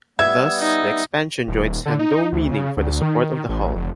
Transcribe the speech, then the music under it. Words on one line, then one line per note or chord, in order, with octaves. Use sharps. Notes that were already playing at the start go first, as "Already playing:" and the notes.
Thus, the expansion joints had no meaning for the support of the hull.
G3 B3 E5 G#6
D#4
D#1
D3
D#4
D2
C#3
D2
D#3
A1
F1